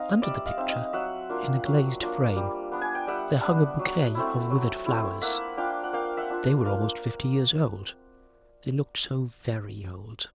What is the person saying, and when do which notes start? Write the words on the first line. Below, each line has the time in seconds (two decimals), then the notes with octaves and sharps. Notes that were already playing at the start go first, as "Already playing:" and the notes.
Under the picture, in a glazed frame, there hung a bouquet of withered flowers; they were almost fifty years old; they looked so very old!
Already playing: C4 D#4 D#5 F5
0.22 G3 D5 E5
0.46 D#5 F5
0.57 C4 D#4 E5
0.69 D#5 F5
0.93 F#3 E5 F#5
1.30 A#3 D4 F4
1.65 F#3
2.01 A#3 D4 F4
2.36 G3
2.72 B3 D4
2.81 G#5
2.95 G5
3.07 G3 E5 F#5
3.43 B3 D4
3.79 F#3
4.15 A3 C4 E4
4.50 F#3
4.86 A3 C4 E4
5.21 A#3 E5 F#5
5.57 D4 F4 F5 G5
5.84 F#5
5.93 A#3 F5 G5
6.17 E5 F#5
6.30 D4 F4
6.65 A#3 F5